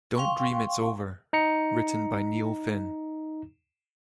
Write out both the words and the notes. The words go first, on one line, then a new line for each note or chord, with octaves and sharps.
"Don't Dream It's Over" written by Neil Finn.
F5 G5 C6 C#6
D#4 A#5 C#7